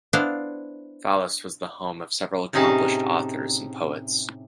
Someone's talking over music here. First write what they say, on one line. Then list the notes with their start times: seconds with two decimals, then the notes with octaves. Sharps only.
Fallis was the home of several accomplished authors and poets.
0.13 B3 D4 E4 C5 F5
2.53 A2 C3 C#4 D#4 G#4 A5